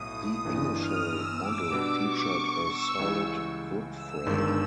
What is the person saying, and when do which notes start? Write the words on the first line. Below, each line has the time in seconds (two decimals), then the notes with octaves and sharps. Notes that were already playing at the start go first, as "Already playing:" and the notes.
The initial model featured a solid wood frame.
Already playing: B1 A2 D#6
0.45 G1 G2 E3
0.77 F6
1.09 E6
1.41 D6
1.72 B2 G3 B3 D4
2.05 C#6
2.67 E6
2.99 C#2 C#3 E3 G3
3.94 E6
4.26 G1 G2 D#3 G#3